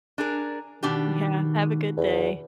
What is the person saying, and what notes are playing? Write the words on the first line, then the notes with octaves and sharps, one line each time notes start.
Yeah. Have a good day.
D4 G#4 A#4
B2 D#3 D4 G4
E2